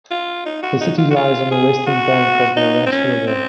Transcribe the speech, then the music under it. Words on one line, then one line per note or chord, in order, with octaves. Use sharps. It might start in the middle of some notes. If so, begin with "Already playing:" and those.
The city lies on the western bank of the Aras River.
F4
D#4
F#4
D#4
F4
F#4
F4
G#4
F#4
D#4
C4
C#4
C4